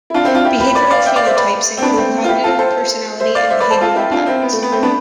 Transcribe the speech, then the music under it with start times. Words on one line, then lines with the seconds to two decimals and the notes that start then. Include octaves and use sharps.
Behavioral phenotypes include cognitive, personality, and behavioral patterns.
0.10 E4
0.14 D4 F4
0.24 C4 E4
0.35 D4 F4
0.45 E4 G4
0.60 G4 B4
0.75 B4 D5
0.90 D5 F5
1.05 E5 G5
1.16 D5 F5
1.27 C5 E5
1.37 B4 D5
1.78 C4
1.82 B3 D4
1.97 A3 C4
2.24 F4
2.28 E4 G4
2.44 F4 A4
2.59 A4 C5
3.20 C5 E5
3.35 D5 F5
3.50 C5 E5
3.60 B4 D5
3.71 A4 C5
3.81 F4 A4
3.96 E4 G4
4.12 D4 F4
4.26 C4 E4
4.42 B3
4.52 A3
4.63 B3
4.72 A3 C4
4.83 B3 D4